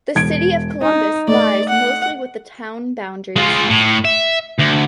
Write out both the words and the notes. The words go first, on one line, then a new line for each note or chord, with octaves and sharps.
The city of Columbus lies mostly with the town boundaries.
E1 G#6 D7
D#4 D#5
A3 D5 D#5
F#5
G#3 F4
A2
E5
D2